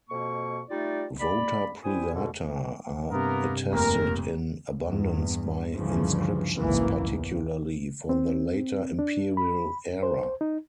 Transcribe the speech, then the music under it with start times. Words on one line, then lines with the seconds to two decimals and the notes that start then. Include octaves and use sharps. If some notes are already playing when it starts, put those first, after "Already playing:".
"Vota privata" are attested in abundance by inscriptions, particularly for the later Imperial era.
0.09 F2 B2 A#3 C#6
0.69 G3 A3 D#4 F4 D5
1.19 D5 B5
1.84 G3 E4 C5 G#5 D#6
2.13 E2 B2 D3
3.11 G2 C3 A#3 B3 A#4
3.72 F1 D#2 A#4
4.84 E2 G2
5.73 D2 G2 C#3 E3 F3
6.58 G#1 C#2 F#2 E3 A#3
7.11 E2
8.09 C4
8.99 D4
9.37 B5
10.03 C5
10.41 D#4